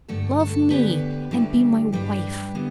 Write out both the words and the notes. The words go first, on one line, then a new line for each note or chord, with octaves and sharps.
Love me and be my wife.
G2 D3 A3 A4
A4
D2 D3 B3 D4 G4 B4
D2 D3 G3 E4
G2 G3 D4 G4 B4
D3 B3 E4